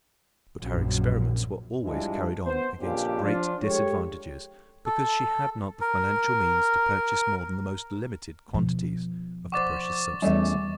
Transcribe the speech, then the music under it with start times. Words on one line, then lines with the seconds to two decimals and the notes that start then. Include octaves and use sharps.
But her experiments were always carried on against great disadvantages because she had not the financial means to purchase more than the most limited quantities of the precious substance.
0.60 A#1 F#2
1.84 G2 E3 F3 G#3 D4 E4
2.46 B3 C5
2.81 A#1 F2 A#2 C#3 D4 G4
3.23 F3 D4 F4
3.63 G#3 G4 A4 C#5
4.86 A4
5.81 A#4
8.54 B2 F3
9.52 C5 D5 F#5 C#6 D6 A6
10.22 E2 G3 A3 C#4 D5 D#5